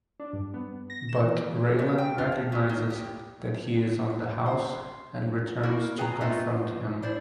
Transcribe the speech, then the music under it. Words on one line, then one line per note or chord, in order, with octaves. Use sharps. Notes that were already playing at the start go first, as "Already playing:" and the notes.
But Raylan recognizes that he is on the house and returns to confront him.
D4
G2
B3
A#6
E7
E3
A3
G5
F4
F3
B2
D#3
G4
C5
A#3 E4 F#4 A#4
G#4 B4 G5 A5 A#5
A3 F4 B4 D#5 E5
D4 E4 C5 D5